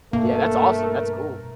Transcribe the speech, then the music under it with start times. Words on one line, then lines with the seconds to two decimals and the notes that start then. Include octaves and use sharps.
Yeah, that's awesome. That's cool.
0.13 G2 B2 A3 A#3 A#4